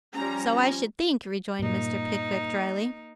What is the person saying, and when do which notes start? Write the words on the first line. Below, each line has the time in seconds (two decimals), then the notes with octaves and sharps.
'So I should think,' rejoined Mr. Pickwick drily.
0.14 F3 G3 C#4 A#5
1.59 G2 A#2 A#3 D#4